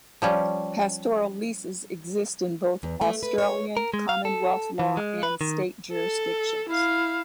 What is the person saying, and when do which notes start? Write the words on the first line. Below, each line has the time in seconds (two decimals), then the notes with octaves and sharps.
Pastoral leases exist in both Australian commonwealth law and state jurisdictions.
0.22 F3 G3 C#4
2.83 E2
3.01 A3
3.23 B4
3.38 C#5
3.77 A#4
3.94 G#3
4.09 F5
4.25 A4
4.79 E3
4.97 G#3
5.23 B4
5.41 D#3
5.93 A4
6.69 E4 F5